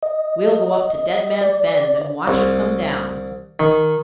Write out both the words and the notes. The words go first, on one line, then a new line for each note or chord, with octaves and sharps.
We'll go up to Dead Man's Bend and watch her come down.
D#5
D5
C2
D#3